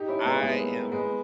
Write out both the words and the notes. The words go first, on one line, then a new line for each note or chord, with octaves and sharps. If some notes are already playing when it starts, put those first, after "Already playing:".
I am
Already playing: D#4 G4
C#4 E4
G#3 B3
G#3 B3
A#3
G#3 B3